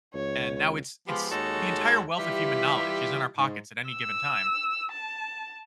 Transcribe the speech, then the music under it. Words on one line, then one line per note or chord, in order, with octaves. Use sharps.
and now it's it's the entire wealth of human knowledge is in our pockets at any given time.
C#2 C#5
F3 G#3 B3 F4 G4
D#2 G#3 D#4 F#4 A4 C#5
E3 G3 E4 F4 G4 E5
G#2
E6
A5